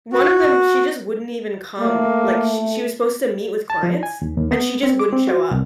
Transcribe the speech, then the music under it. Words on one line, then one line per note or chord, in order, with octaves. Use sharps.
One of them, she just wouldn't even come. Like, sh she was supposed to meet with clients, and she just wouldn't show up.
F#4
A3 A#3
A5
F3
G#5
D#2
D#2
B3
C4
D6
C4
F#4
C2